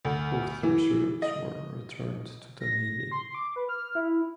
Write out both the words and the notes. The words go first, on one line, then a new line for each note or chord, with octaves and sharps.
Both reserves were returned to the Navy.
D2
E3
D#5
A#6
C6
D6
B4
F6
E4